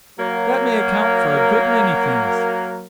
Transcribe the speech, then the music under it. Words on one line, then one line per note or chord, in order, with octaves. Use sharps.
That may account for a good many things.
F#3 A#3 A#4